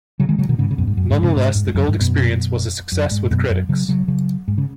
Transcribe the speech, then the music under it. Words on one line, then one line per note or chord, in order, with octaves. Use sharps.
Nonetheless, "The Gold Experience" was a success with critics.
C#3 F#3
D#3 G#3
C#3 F#3
B2 D#3
G#2 C#3
C#3
F#2 B2
G#2
F#2
G#2
G#2 C#3
G#2
G#2
G#2
F#2
G#2
F#2 B2
F#2
G#2
G#2
F#2 B2
F#2
C#3 F#3
C#3 F#3
C#3 F#3
G#2
C#3